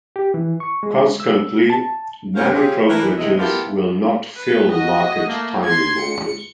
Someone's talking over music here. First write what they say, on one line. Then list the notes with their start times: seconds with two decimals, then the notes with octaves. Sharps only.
Consequently, many brokerages will not fill market-timing orders.
0.16 G4
0.34 E3
0.60 C#6
0.83 G#3
1.20 E6
1.70 A5
2.35 F#2 C#4 F#4 A#4 C5 F5
2.54 C4 C#4 F4 G4 G#4
2.88 E3 D4 A#4
3.16 E2 C3 G#3 E4 D#5 E5
3.38 B3 E4 F4 G4 A4 A#4
4.36 B4
4.70 F#4 D#5
5.28 A3 A#3
5.65 C6 G#6
5.98 C#7